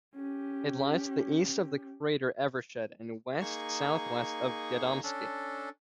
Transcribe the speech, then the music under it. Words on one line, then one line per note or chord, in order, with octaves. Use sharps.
It lies to the east of the crater Evershed, and west-southwest of Gadomski.
C#4 G4
A#3 D#4 G#4 C#6
C#4 D4 A4